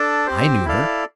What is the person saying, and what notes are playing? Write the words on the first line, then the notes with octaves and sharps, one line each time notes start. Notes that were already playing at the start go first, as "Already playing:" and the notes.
I knew her.
Already playing: D4 A4 D5
C4 G4 C5
E4 A4 D5 F5